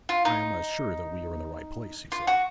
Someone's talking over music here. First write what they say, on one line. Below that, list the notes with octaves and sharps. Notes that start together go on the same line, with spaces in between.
'I am not sure that we are in the right place,' he said.
F4
D#4
F4
F#4